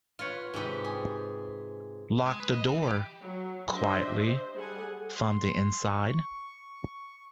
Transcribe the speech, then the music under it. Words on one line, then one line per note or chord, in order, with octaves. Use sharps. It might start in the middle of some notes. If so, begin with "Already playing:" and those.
Lock the door — quietly — from the inside.
F4 B4 C#5 F#5
G#2 C3 G4 B4
G#4
G#3
B4
D#5
E3
G4
F#3
D4 G4 C5 D#5 E5
C5
G3 G#4 A4 F#5 G#5
C6
C#6